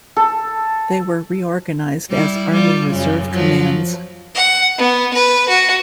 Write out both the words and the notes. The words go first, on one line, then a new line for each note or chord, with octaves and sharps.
They were reorganized as Army Reserve Commands.
A4
G3 E4
G3 F4
F#2 C#3
F3 F#3
F#5
B3
B4
F#4